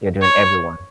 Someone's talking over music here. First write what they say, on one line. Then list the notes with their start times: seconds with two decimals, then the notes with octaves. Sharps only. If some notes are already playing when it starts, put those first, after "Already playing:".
you're doing everyone
0.22 C#5